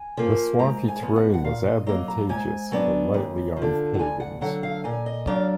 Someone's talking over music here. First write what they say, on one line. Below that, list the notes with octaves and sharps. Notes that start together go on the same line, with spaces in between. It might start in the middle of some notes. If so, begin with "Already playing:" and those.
The swampy terrain was advantageous for lightly armed pagans.
Already playing: G#5
F3 A#3
G#2 A#5
G#5
F3 B3
F#5
F#5
A#2 F5
D#5
F#3 A#3 D#5
A#5
G#2 G#5
F#3 B3 D4
D#2
F3
D3
F#5
D2 G#5
F#5
D3 F#3 F#5
F5
A#2 G#5
D#5
F#3 D4 F5